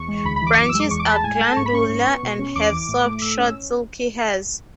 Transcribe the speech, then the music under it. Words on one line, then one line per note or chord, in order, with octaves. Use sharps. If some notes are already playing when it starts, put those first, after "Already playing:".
Branches are glandular and have soft short silky hairs.
Already playing: E2 C#6
G#3
D2 B5
B5
E3
D6
F#2 D6
E6
G#3
D6
E2 C#6
D6
G#3 B5
A5
A2 G#5
G#5
A3
A5
G#2 C#6
B5
C#4 C#6
G#2
B3
B2
C#4
E2 D6
E3
A2
A3
A2 E6
C#4